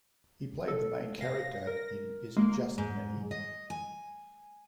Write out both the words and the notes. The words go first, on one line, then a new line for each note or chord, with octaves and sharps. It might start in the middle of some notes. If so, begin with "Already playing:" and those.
He played the main character in Is It Just Me?
A4
F5 A#6
A#4
G#3 A#3
G#2
D#5
G#5